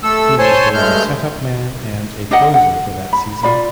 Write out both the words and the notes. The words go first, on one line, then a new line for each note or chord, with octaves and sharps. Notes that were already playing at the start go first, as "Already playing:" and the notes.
He was both a setup man and a closer that season.
A3 A4 E6
C5 C#5 G#5 A5 C6
G2 G#3 A3 F6 G6
D4 A#4 D#5 F#5
F#5
B5
F4 D5 B5